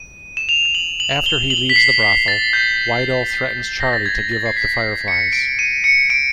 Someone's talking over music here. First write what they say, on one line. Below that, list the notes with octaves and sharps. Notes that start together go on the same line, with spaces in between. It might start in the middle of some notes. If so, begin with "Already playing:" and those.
After he leaves the brothel, Wydell threatens Charlie to give up the Fireflys.
Already playing: D#7
E7
F7
F#7
F#7
G7
F#7
B6
C7
B6
A6
G6
A#6
A6
G#6
A6
C7
B6
C#7
D7
D#7
C#7
D7